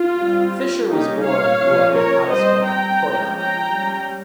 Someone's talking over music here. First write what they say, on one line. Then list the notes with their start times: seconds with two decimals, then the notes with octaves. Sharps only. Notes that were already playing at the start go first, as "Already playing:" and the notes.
Fisher was born and grew up in Addiscombe, Croydon.
Already playing: F4
0.18 G3 C4
0.88 G3 A#3 C#4 D#4 G4
1.24 C#5 F5
1.59 F3 A#3 C#4
1.94 A#4 C#5
2.29 G3 C4 C5 D#5
2.64 G5 A#5
3.01 F3 G#3 C#4
3.35 G5 A#5
3.71 G3 C#4